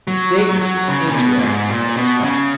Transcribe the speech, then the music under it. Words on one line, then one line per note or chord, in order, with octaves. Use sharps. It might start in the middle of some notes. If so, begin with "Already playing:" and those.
The statements was interesting, but tough.
F#3
F#3
C#3
A#2
B2
A#2
G#2
A#2
B2
C#3